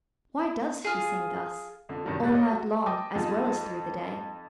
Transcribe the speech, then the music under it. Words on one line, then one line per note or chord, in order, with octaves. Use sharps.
Why does she sing thus, all night long as well as through the day?
F4 G#4
F2 D3
G#1 G2 C3 D#3 F#3
D#1 A2 G3 F#6 A6
C#5 D#5 B5
F#4
D#5 G5 A5 D6 D#6
F2 D#4 F4